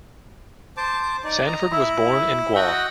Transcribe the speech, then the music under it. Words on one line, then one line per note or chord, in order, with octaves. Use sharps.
Sanford was born in Guam.
C5 A5 D6
D#4 D5
D#5 A#5
E4 E5
F#4 D#5 F#5 G5